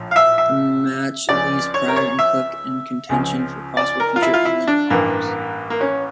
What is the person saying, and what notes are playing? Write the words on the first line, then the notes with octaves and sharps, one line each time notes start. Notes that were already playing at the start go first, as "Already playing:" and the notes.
The match leaves Prior and Cook in contention for possible future England call-ups.
Already playing: A#1 A2 F3
F5
E5
E5
C#2 C#3 F3 D5
C#5
A#4
C#5
E5
C#2 C#3 F3
D5
A#4
F4
E4
F4
E4
D4
A1 G2 E3 A#3
A#3
C#4